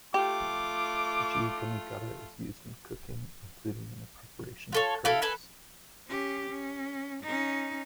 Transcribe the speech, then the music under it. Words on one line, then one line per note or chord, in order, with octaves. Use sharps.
"G. gummi-gutta" is used in cooking, including in the preparation of curries.
A3 F4 G4 D6
F4 A4 C#5
E4 A4 E5 F5
A4 B4 G#5
C#4 G4
C#4
C#4 D#4